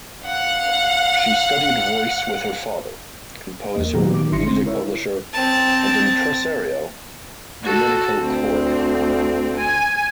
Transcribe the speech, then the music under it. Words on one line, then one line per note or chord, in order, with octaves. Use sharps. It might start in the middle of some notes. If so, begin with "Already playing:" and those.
She studied voice with her father, composer, music publisher, and impresario Domenico Corri.
F5 F#5
E2 A#3 D#5
A#2 D#3 F#3 B3 G4 A#5
D#3 D6
G#1 D3 E4 C6 A#6 C#7
C#3 G#3 C4
E4 A#4 C#5 E5
C4 A5
F#4 A4
D2 C4
G#5